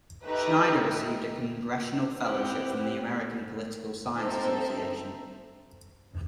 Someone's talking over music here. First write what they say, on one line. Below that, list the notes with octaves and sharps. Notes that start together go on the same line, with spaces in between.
Schneider received a Congressional Fellowship from the American Political Science Association.
A3 D#4 G4 B4 E5
C4 E4 G4 B4 F#5
C4 D#4 A4 C5 E5